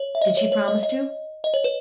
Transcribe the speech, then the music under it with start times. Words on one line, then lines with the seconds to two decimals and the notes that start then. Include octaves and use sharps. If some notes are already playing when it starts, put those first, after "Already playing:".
"Did she promise to?"
Already playing: C#5
0.15 E5
0.21 D#5
0.37 C#5
0.52 C#5
0.68 D#5
0.83 D#5
1.44 D#5
1.54 C#5
1.64 B4